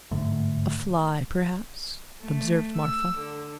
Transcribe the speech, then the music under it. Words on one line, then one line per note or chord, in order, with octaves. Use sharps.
"A fly, perhaps," observed Marfa.
G1 G#2 D3 A3
A3
E6
D3